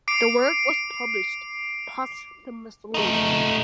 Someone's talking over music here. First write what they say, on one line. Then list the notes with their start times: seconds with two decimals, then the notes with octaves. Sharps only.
The work was published posthumously.
0.08 D6 C7 D7
2.94 A3 D#4